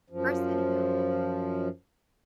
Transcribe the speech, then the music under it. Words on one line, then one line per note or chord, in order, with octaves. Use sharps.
person who
F#2 F3